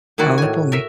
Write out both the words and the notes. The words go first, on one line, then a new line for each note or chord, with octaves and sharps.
Oh boy.
D#3 A#3 E4 F#4 D5
A2 G#5
A#4 E5